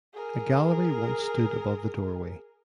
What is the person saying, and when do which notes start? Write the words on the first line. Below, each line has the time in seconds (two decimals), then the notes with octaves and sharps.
A gallery once stood above the doorway.
0.14 G#4 A#4